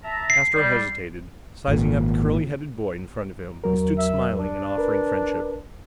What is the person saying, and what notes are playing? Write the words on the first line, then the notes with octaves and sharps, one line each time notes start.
Astro hesitated, sizing up the curly-headed boy in front of him, who stood smiling and offering friendship.
E5 A5 A#5
C7
G3
G#1 A#2
E2 F#3 A#4
E5
D4
A#4 B4